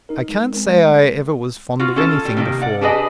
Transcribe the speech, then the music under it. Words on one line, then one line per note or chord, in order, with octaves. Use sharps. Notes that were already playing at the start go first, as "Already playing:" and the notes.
I can't say I ever was fond of anything before.
D#4 A#4
G#3
G#3 C4 A#4
F4 F#4
C#4 F4 A4
G3 G4
C3 D#3 F#3 G3 A#3
D5 F#5
D4 G4 G#4 B4 D#5